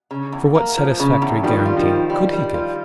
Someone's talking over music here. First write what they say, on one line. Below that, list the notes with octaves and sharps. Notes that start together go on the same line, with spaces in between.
For what satisfactory guarantee could he give?
C#3
E2
A#3
F3
C#3
E2
D#3 F3 G3
F4
D#3 F3
C4
G3
G3
F4